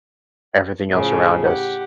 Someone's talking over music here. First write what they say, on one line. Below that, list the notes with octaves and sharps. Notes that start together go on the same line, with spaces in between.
everything else around us.
A2 C#3 F3 G#4
G4 F#5